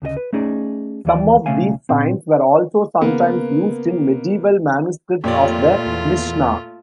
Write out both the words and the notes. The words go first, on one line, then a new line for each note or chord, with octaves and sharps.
Some of these signs were also sometimes used in medieval manuscripts of the Mishnah.
D2 C#3 G#4 D#5
B4
A3 C#4 D#4 G#4 D5
D#2 E3 D5
B1 C#3 A3 C#4 F5 G#5
A#2 C4
C#3 A#3 B3
F2 A#2 A3 F4 G4 C#5 D5
E2